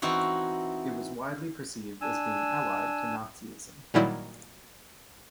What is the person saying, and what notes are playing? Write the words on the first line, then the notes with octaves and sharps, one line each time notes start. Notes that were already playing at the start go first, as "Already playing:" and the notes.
It was widely perceived as being allied to Nazism.
E3 C4 D#4 E4 F#4
D4 G#5 E6
A#2 D#3 F#3 G3 E4